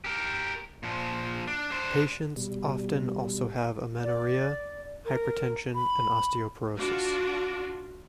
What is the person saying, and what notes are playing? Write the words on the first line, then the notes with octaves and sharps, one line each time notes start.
Patients often also have amenorrhoea, hypertension and osteoporosis.
G4 A#4
A#2 F3
D4
D4 C5
B2 G3
D5
A#4
B5
D4 F4 F#4